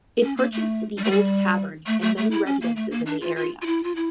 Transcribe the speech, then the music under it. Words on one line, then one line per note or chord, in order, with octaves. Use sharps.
It purchased the Old Tavern and many residences in the area.
C#4
A#3
A3
G3
A3
G3
A3
A3
A3
E4
C#4
A#3
A3
A#3
D4
F4
F4
F4
E4
F4
E4